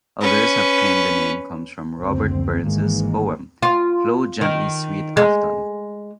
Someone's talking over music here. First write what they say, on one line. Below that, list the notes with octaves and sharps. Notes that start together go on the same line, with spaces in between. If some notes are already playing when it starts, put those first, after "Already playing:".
Others have claimed the name comes from Robert Burns's poem, Flow Gently Sweet Afton.
C#4 B4
F#1 D2 C4
G#1 D#3 E3 G#3 A#3
F4
D#3
G#3